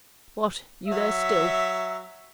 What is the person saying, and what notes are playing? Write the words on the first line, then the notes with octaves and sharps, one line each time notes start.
'What! you there still!'
F#3 E5